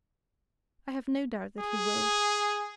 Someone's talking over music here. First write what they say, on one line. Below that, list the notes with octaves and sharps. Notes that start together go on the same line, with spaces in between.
I have no doubt that he will.
G#4